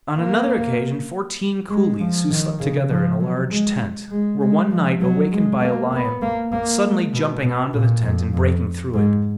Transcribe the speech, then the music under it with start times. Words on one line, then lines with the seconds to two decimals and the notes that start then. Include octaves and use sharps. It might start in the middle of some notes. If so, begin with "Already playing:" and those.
On another occasion fourteen coolies who slept together in a large tent were one night awakened by a lion suddenly jumping on to the tent and breaking through it.
0.18 A#3
1.69 G#3
1.99 F3
2.30 D#3
2.59 C#3
2.90 F3
3.20 F#3
3.51 G#3
4.11 G#3
4.41 G#3
4.71 F3
5.01 F#3
5.31 G#3
5.61 A#3
5.92 B3
6.22 A#3
6.52 A#3
6.82 G#3
7.13 B2
7.43 B2
7.73 A#2
8.03 F2
8.33 F2
8.94 G#2